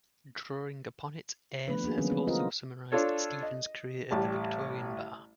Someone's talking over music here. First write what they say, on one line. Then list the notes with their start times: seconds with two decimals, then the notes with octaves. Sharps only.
Drawing upon it, Ayres has also summarised Stephen's career at the Victorian Bar.
1.68 D#3 F3 A3 B3 D4 B4
1.84 A#3 D4 F#4 G#4
1.97 D3 E3 F#3 B3 C#4 D4
2.11 G3 B3 C4 G#4
2.27 F4 A#4 C5 D#5
2.92 D4 F4 A4 C#5
3.43 D#5
4.11 A1 G3 A5